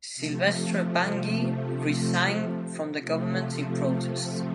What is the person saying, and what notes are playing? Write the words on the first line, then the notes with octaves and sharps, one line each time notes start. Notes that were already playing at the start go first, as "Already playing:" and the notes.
Sylvestre Bangui resigned from the government in protest.
C3 F3 A3
C3 F3 A3